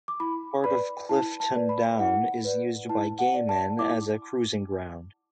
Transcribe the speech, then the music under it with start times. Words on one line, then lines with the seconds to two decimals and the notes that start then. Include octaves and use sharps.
Part of Clifton Down is used by gay men as a cruising ground.
0.08 D6
0.20 E4 B5
0.64 B4 D5 B5
1.09 E4 A5
1.40 A5
1.54 B4 D5
1.69 B5
1.99 E4 F#5
2.44 B4 D5
2.89 E4 A5
3.19 F#5
3.34 D5
3.49 A5
3.79 E4 D6